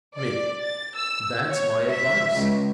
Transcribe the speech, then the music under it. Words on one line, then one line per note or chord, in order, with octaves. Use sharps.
ME: That's my advice.
D5
A6
E6
C#5
E5
C#2